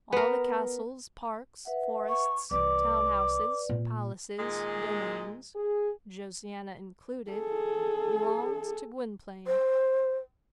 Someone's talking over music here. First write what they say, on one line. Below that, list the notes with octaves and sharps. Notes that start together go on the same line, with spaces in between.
All the castles, parks, forests, town houses, palaces, domains, Josiana included, belonged to Gwynplaine.
B3 A#4
B4 E5 F#5
C#6
C2 E3 B4 D5 D6
A#2 A#3
A#2 D#3 G#3
G#4
G#4 A4
C5